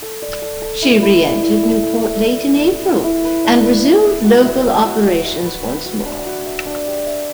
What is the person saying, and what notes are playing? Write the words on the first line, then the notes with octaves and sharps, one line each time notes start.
She re-entered Newport late in April and resumed local operations once more.
A4
D5
A4
A4
E4
E4
D5
E4
A4
A4
A4
A4
D5
E4
E4
E4
B4
D4
B4
E5
E5
F#4
E5
B4
F#4
E5
E5
B4
B4
F#4
D4
F#4
E5
D4
G4
E5